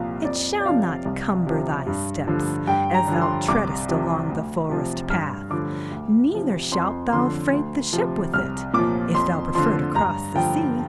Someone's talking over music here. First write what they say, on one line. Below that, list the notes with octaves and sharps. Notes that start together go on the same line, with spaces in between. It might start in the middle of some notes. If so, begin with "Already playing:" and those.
It shall not cumber thy steps, as thou treadest along the forest-path: neither shalt thou freight the ship with it, if thou prefer to cross the sea.
Already playing: C2 A#2 F3 F5
F2 D5
D5
C3 F3 F5
C2
C3 F3
G2
D3 F3
G2 G5
A#5
D3 F3
C6
C2 D6
C3 F3
D2
C3 F3
G2 F6
D3 F3 D6
D2
C3 F3
F2 C6
D3 F3 C6
D2
C3 F3
C2 F6
A#2 F3 D6
F2 C6
D3 F3 C6
G2 A#5
D3 F3 G5